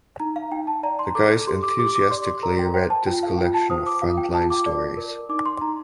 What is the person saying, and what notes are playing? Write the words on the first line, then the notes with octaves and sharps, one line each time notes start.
The guys enthusiastically read this collection of frontline stories.
D#4 A#5
F5
D#4 G5
A5
D5 A#5
C6
A4 D6
G4 C6
D6
G4 D6
D6
D5 C6
C6
A#4 A#5
G5
C5 G5
A5
F4 G5
F5
F4 G5
A5
C5 D#6
D6
F4 F5
G5
F4 A5
D6
D5
A#4
D#4 D6
C6
D#4 A#5